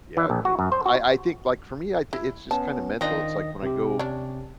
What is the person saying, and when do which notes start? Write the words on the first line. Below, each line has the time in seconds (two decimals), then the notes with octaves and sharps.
yeah, I think I I think like for me, I think it's just kind of mental, it's like when I go,
0.17 E3
0.30 A#1
0.45 F#4
0.59 F#2
0.72 C5
0.86 F#4
2.13 E4
2.51 B3 C#4 A5
3.01 D#3 C4 D4 F4 D#5 A#6
3.63 C3 G4
3.99 C#4 D4